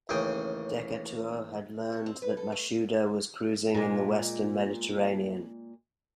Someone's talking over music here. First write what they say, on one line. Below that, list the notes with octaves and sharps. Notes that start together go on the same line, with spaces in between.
Decatur had learned that Mashuda was cruising in the western Mediterranean.
A1 D#2 C#3 G#4 G5 G#5
C#5
C4
B4
A4
A3
A#2 G#3